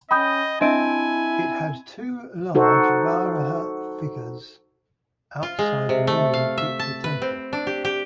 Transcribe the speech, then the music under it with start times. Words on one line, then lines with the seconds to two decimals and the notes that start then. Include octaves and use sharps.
It had two large Varaha figures outside the ruined Gupta temple.
0.11 C#4 D#5 G5 B5 D#6 G6
0.61 C4 D4 E4 D#5 E5 G#5 A5 D7
2.55 D#4 F#4 A4 C5
5.43 F4
5.59 G#3
5.89 C3
6.07 A3
6.34 F5
6.58 E5
6.79 A5
7.04 B4
7.22 C4
7.53 D4
7.67 G4
7.85 G4